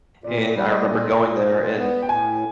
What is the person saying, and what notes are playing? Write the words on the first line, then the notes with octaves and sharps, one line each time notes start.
and I remember going there, and,
A#2 D5
G3
D#5
A#2
A#2
A#2
B3
G5
A2 G#5